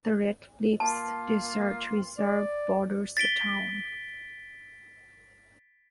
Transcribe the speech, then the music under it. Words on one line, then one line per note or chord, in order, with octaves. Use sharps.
The Red Cliffs Desert Reserve borders the town.
A#3 F4 A5
D5
A6 B6 D7 G7